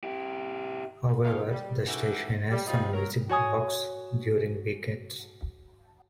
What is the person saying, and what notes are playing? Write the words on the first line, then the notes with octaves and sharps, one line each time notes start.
However, the station has some music blocks, during weekends.
E4 G4
F2 D#4 F5
G3
G#2 C#3 E3 A3 F#4 G4
G3
F3 G3 C4 D#4 F4
F#3 A#4
F#4 C#5 G#5 D#6